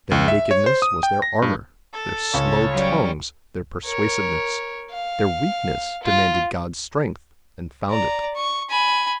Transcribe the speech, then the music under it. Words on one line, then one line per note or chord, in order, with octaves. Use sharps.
Their nakedness was their armour, their slow tongues their persuasiveness, their weakness demanded God's strength, and found it.
C#2
E5
C#5
C5
D#6
G5
A#6
G2
A4 A6
C#2 C#5
F#3 G3 C#4
A#4 C#5
F5
F4
D5 A#5
C#6
G#5 B5